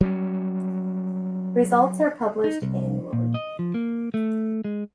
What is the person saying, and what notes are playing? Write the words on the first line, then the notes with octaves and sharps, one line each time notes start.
Results are published annually.
F#3 G3 C#4
D#4
C2
A#2
D#5
F3
A#3
A3
G#3